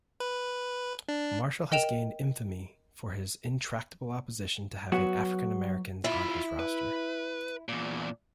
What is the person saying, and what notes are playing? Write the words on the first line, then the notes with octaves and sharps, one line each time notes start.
Marshall has gained infamy for his intractable opposition to having African-Americans on his roster.
B4
D4
A#4 D#5 G5 D7 E7 F7
F#3 B3 F#4
E4 F4 E5
B4
E2 A#2